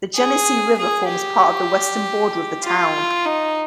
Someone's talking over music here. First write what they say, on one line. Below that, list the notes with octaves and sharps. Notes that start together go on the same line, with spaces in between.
The Genesee River forms part of the western border of the town.
G#4
G#4
G4
F4
D#4